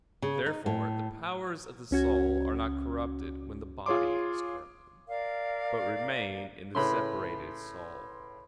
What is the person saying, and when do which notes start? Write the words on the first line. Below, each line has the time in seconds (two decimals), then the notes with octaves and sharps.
Therefore the powers of the soul are not corrupted when the body is corrupted, but remain in the separated soul.
0.22 C#3
0.46 D#4
0.66 A2
1.91 C#2 C#4 F#4 G#6
3.86 F4 G#4 C#5 C6 D6
5.08 A#4 D5 F5
6.75 A2 C#3 B4 B5 C6